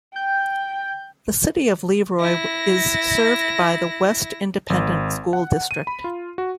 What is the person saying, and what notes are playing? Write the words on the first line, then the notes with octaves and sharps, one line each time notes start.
The City of Leroy is served by the West Independent School District.
G5 G6
E4 A#6
G#1
F#5
D#7
B5
F4
F#4